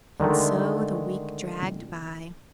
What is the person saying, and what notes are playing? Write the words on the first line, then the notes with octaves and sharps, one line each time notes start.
And so the week dragged by....
D3 D#3 G#3 A3